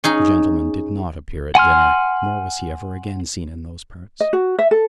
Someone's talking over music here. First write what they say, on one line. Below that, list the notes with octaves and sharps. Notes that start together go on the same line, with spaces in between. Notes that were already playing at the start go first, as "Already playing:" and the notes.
The gentleman did not appear at dinner, nor was he ever again seen in those parts.
C#4 D#4 G#4
F#5 G#5 C6 F6
D#5
F#4
E5
A4